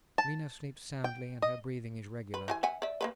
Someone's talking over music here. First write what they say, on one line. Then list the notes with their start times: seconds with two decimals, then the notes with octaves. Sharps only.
Mina sleeps soundly and her breathing is regular.
0.18 A5
1.04 G5
1.42 D#5
2.34 B4
2.48 E3 G4 G#5
2.63 E5 F#5 G#5
2.82 D5 E5
3.01 A#3 B3 B4